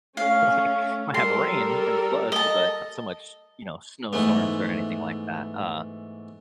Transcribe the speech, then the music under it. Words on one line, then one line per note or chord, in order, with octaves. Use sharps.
like, might have rain and floods, but not so much, you know, snowstorms or anything like that. Uh,
A3 C#4 F5
G3 A4 A#4 C6
D#5 A5
G#2 E3 A3 B3